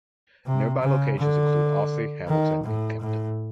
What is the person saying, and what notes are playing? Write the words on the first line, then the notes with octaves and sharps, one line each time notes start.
Nearby locations include Ouse, Hamilton and Kempton.
C3
C#3
D3
D#3
A2
A2